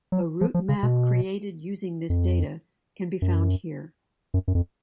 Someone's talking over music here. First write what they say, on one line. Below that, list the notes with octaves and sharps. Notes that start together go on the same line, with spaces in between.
A route map created using this data can be found here.
F#3
F3
F3
C#3
B2
F2
F#2
F#2
F#2
F2